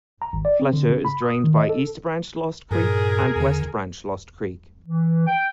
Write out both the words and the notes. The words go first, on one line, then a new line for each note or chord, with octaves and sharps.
Fletcher is drained by East Branch Lost Creek and West Branch Lost Creek.
A#5
G#1
D5
C4
D3
C#3
B5
D#6
D#3
D#5
A4
G2 A#2 G#4 A#4
E2 D3
E3
G5